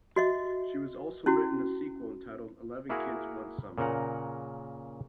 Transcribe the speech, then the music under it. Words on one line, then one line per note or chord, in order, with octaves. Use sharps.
She has also written a sequel entitled "Eleven Kids, One Summer".
F#4 D#5 E5
C#4 E4 F#4
A#3 E4 F#4 G#4 A#4 F#5
A#2 C#3 A#4 F#5 A#5